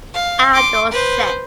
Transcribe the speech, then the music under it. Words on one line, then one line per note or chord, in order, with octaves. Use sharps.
Outdoor set.
F5
C6 D6
B4 C5